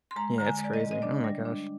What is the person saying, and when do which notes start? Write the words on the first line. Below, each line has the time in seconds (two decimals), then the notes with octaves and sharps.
Yeah, it's crazy. Oh my gosh.
0.11 C6
0.16 G#3 A#5
0.38 D3 A#5
0.45 G#5
0.59 G#3
0.64 D5
0.73 D#5
0.80 G#3
0.91 D#5
1.02 D4 D5
1.24 G3
1.45 D4